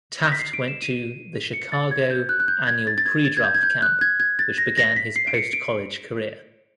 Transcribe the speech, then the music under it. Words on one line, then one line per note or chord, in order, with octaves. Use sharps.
Taft went to the Chicago Annual Predraft Camp which began his post-college career.
A#6
B6
C7
D7
E7
D#7
C#7
A6
G#6
G6
F#6
F#6
G6
G#6
A6
A6
G#6
A6
G#6
G6
G#6
G6
F#6
G#6
G#6
A6
A#6
A#6
B6
C7
D7
C#7
D7